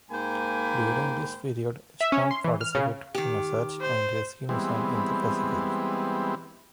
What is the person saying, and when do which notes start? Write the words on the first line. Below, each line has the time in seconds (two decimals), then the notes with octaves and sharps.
During this period "Stump" participated in a search and rescue mission in the Pacific.
0.11 G#2 A#3 C5 G5 G#5 B5
2.01 E5
2.12 C#4
2.31 C6
2.44 E3
2.61 F6
2.75 C#3
3.15 D#3 G4
3.81 C5
4.49 E3 G3 G#3 B3 C4